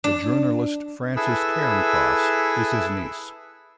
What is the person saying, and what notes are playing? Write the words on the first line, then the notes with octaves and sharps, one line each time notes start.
The journalist Frances Cairncross is his niece.
D4
E4 G#4 A4 B4 E6